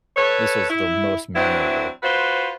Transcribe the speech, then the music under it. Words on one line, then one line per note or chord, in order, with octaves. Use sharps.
this was the most memorable."
A4 B4 C#5
E4
E3 F#3 C4 D4 E4
F4 F#4 B4 C5